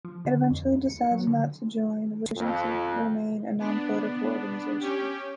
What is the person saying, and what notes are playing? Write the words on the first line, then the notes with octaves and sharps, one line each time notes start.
It eventually decides not to join, wishing to remain a non-political organization.
F3
D3
F2
D2
C#7
F#3
D3
F2
B3 D4
C#4 G4